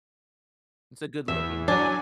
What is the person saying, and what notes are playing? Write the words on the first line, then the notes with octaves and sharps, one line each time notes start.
It's a good-looking film.
E2 E5
F#3 D4 G#5